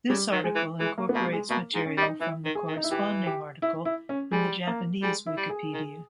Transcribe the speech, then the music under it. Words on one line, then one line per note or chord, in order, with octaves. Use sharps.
This article incorporates material from the corresponding article in the Japanese Wikipedia.
C#3 G3
D#3
G#3
E3
E3 G#3
A#3
B3
B2 A#3
G3
G#3
B2 A#3
G#2
C#4
G3
D#4
E3 E4
D#3
G#4
D#3
D#4
E4
E3 G4
G4
E4
E4
C#4
G3 G#3
A#3
G3 G#3
E4
G3
G#4
D#3